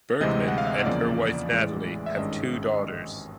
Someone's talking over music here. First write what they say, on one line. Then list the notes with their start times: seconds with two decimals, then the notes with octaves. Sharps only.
Bergman and her wife Natalie have two daughters.
0.21 D2 C3 E3 G#3 C4 D#5
0.48 F#5
0.58 F5
0.67 E5
0.76 D#5
0.86 E2 C#3 F3 A#3 D5
1.51 A1 A2 E3 G#3
2.06 E5
2.16 G#1 G2 D#3 G#3 C#4 D#5